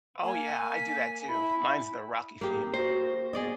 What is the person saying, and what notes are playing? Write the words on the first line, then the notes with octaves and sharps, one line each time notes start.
Oh, yeah, I do that too. Mine's the Rocky theme.
A#3 G#5
B6
E4 B5
A#3 G4 G#4
F#4 C5
B3 G#4 D5 D#5